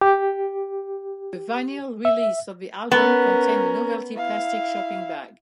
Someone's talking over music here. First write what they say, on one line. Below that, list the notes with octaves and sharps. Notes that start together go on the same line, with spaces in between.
The vinyl release of the album contained a novelty plastic shopping bag.
G4
E5
B3 C#4 A#4
E4 F5